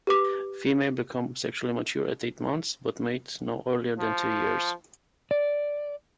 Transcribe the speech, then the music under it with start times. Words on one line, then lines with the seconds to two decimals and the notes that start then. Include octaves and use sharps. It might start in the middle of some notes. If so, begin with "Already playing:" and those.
Females become sexually mature at eight months, but mate no earlier than two years.
0.07 G4 B4 D6
4.00 F3
5.31 D5